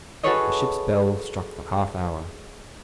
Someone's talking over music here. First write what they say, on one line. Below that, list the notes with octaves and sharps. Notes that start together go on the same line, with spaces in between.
The ship's bell struck the half-hour.
F#4 G#4 A4 B4 C#5 D#5